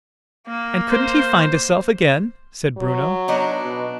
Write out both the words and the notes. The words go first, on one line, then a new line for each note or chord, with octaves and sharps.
"And couldn't he find his-self again?" said Bruno.
A#3
C5
F#3
B3 D4 D#4
B2